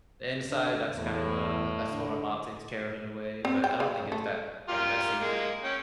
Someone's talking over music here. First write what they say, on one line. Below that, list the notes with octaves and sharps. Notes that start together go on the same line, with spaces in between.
The inside, that's kind of a that's what my mom takes care of in a way, but I don't think it's that, like, messy
D3
E2 A2
D3
C4
G5
C#3
A3
F4 G4 A#4
G#3 A#3
C#4 G5